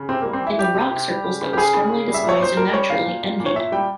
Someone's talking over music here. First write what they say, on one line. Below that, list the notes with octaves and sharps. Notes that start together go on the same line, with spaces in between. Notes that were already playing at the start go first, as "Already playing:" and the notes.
In the "rock circles" that was strongly despised and naturally, envied.
Already playing: C#3
C3 C4
G3 A#3
C4
E3
E4
G3 G4
C3
C3
G3
C#3
C#3
G4
C#3 G#4
C#3
C#3
G3
E5
A#2
C#5
A#2 C5
G3 A#4
G3 C#5
A#2 F5
A#2
A#2
A#2
C#5
A#2 E5
G3 G5